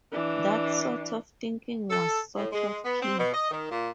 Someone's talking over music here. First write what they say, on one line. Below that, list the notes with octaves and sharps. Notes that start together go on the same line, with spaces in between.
That sort of thinking was, sort of, key.
E3 D4
A4
A2
G#3
B3
C4
B2
D#5
D#3
A#2